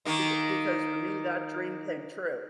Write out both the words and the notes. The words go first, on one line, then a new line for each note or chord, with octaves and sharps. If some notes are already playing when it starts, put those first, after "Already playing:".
beca because for me that dream came true.
D#3 A#3 D#4